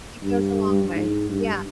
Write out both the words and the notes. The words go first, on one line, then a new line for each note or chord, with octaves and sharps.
it goes a long way, yeah.
G2
G#2
G2